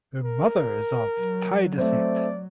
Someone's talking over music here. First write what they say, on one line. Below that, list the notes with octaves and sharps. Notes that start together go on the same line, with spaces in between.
Her mother is of Thai descent.
A#4
F#3
A3 C4 D5